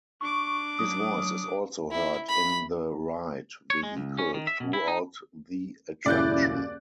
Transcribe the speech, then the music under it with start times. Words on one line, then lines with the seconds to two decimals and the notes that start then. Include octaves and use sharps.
His voice is also heard in the ride vehicle throughout the attraction.
0.21 D4 C#6 D6
0.79 F#3 D#6
1.91 E4
2.29 B5
3.70 C#5
3.83 G#3
3.97 C#2
4.18 C#4
4.34 D#3
4.47 E5
4.60 B2
4.73 E4
4.88 D#4
6.06 D#1 C#2 F#2 E4 D5 F#6 G6